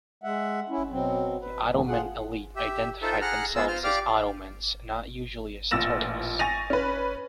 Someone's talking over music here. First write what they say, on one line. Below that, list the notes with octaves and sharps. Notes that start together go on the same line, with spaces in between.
The Ottoman elite identified themselves as Ottomans, not usually as Turks.
G#3 E5 F#5
C#4 E4
B2 F#3 C4
B4
F2 A#2 D#3 F3 A3 B3
F4 G#4 F#5
G4 E5
D#4 F4 A4 C5 E5
G#4 F#5 A#5 F6 F#6
B3 F4 G#4 E6
F4 C5 F6
G4 D5 F5 D6 F6
A1 A#2 E6 A6 A#6 E7
G#5 C#6 A6 A#6 D#7 F7
C#4 B4